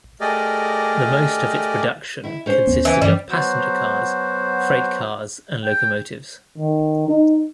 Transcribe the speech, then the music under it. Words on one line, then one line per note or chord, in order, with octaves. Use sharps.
The most of its production consisted of passenger cars, freight cars and locomotives.
A3 G4 G#4 A#4 D5 D#5
E4 E5
C#4 C5
D#2 B3
E3
G2 E3 F3 G3
F#3 B3 F#4 C5
G5
D#3
D#4